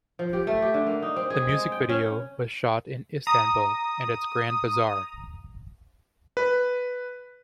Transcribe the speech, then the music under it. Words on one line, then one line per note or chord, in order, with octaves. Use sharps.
The music video was shot in Istanbul, and its Grand Bazaar.
F3
G4
A3
G4
D3
A#3
D#4
C4
G#4
G#3
G5
C#4
A#5 D#6
B4